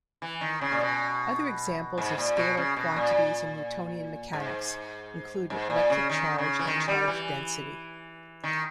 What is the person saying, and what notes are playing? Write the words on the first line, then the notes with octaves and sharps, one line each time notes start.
Other examples of scalar quantities in Newtonian mechanics include electric charge and charge density.
E3
D#3
C#3
A#2
B2
G#2
A#2
B2
C#3
B2
A#2
G#2
G#2
A#2
C#3
D#3
C#3
E3
D#3
G3
E3
D#3